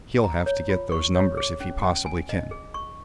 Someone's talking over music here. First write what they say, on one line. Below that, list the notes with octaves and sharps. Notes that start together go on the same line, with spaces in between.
He'll have to get those numbers if he possibly can.
A#5
C#5
F4
C#6
C#5
G#4
C#4
C#4
G#5
D#5
G#4
C#6